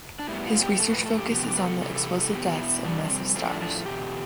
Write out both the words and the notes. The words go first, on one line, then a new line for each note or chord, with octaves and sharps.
His research focus is on the explosive deaths of massive stars.
D4
A2 G3 B3 E4
F4
G4
A2 F3 A3 A4
B4
A4
G4
C3 F3 B3 G4
G4
B4
A4
C3 E3 G3 A4
A4
A4
A4
E2 B2 B3 G4
E4
F2 C3 G3 B3 D4
D4
C4
A2 F3 A3 C4
D4
D4
E2 B2 G4